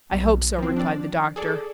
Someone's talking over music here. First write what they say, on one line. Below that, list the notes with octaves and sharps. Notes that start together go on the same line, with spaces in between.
"I hope so," replied the doctor.
B1
F3 C4
D4 D5
G#4 A4 D5